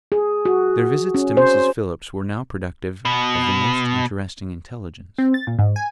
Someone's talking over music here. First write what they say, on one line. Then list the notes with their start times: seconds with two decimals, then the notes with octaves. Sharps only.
Their visits to Mrs. Phillips were now productive of the most interesting intelligence.
0.12 G#4
0.45 F#4
1.14 C#4
1.37 C5
3.05 B2
5.18 C4
5.34 A6
5.47 A#2
5.59 G#2
5.76 G#5